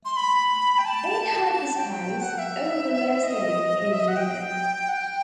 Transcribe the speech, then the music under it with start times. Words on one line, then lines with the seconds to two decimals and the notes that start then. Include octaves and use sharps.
In Hyperspace, all velocity is zero.
0.05 C6
0.16 B5
0.78 G5
0.85 A5
1.53 A5
1.75 G5
2.21 F#5
2.38 E5
3.23 D#5
3.92 E5
4.00 D#5
4.08 F#5
4.17 G5
4.89 F#5
4.93 G5